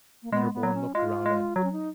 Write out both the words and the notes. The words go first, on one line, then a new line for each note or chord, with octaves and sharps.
Winterborne looked round at it.
A#3
G#3 B3
B3
F#3
C#4
G#3 F4
G#3
F#3 F#4
C#4
D#4